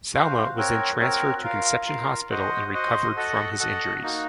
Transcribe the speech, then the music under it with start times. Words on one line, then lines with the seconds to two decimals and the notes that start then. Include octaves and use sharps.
Salameh was then transferred to Conception Hospital and recovered from his injuries.
0.14 F#4 C5 F5
0.56 C4 F#4 A#4 C#5
1.00 C4 F#4 A#4 C#5
1.43 F4 A#4 F5
1.86 F4 A#4 F5
2.30 F#4 C5 D#5 F#5
2.73 F#4 C5 D#5 F#5
3.16 F#4 A4 D#5 F#5
3.59 F#4 A4 D#5 F#5
4.02 A#3 D#4 F#4